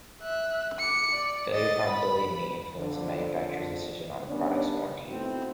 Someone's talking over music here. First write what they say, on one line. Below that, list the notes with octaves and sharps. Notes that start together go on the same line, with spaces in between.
Failure probability may influence a manufacturer's decisions on a product's warranty.
E5 F#6
D6 C#7
D5
D#5 A6
B5
F2 D3
D#3 G3 B3 C#4 D4
A3 B3 C4 D#4 E4 F#4